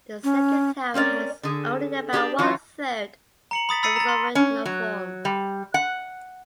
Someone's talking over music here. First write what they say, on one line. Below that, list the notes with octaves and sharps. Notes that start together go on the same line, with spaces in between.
The second tower has only about one-third of its original form.
C#4
C4 C#4 A#4 D5
D3 G#4
D4 G4 G#4 C5 D5
E3 F#3 C#4 F4 F#4
A#5 C#7 F#7
B5 D#6 A6 B6
B5 E6 A6 C7 C#7 D#7
A#5 A6
C6
C#4
F#3
G3
F#5